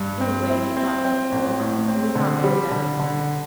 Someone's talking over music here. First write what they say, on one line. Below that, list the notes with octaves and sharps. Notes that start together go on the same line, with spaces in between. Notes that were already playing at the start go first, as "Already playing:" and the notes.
Anyway, he thought thankfully, it would not be Odette.
Already playing: G2
C4
E4
C4
C4
A1
A2
C4
D3
G3
D3
D3